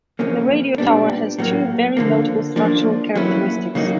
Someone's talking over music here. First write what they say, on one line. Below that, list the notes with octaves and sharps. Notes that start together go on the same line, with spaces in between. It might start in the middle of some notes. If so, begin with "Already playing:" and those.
The radio tower has two very notable structural characteristics.
C#3 F3 A#3 C#4
A#2 G3 B3 D4
A2 F#3 A#3
D3 F3 A#3
F3 A#3 D4
F#3 A#3 C#4 E4
C#3 F#3 A#3 D#4 F#4